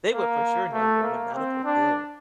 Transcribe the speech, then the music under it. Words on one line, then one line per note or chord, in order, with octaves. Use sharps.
They would, for sure, know you're in a medical field.
A#3
A3
A#3
C4
D4